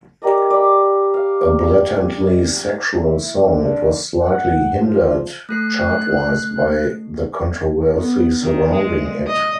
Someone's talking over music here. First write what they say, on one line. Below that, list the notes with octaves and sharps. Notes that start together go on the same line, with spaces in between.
A blatantly sexual song, it was slightly hindered chart-wise by the controversy surrounding it.
G4 A#4 D5 D#5
D5 B5
F5
G#5
E4
D3
F#5
F3
A3 A4 F#6 C7
B3
D#3
G#3
D#5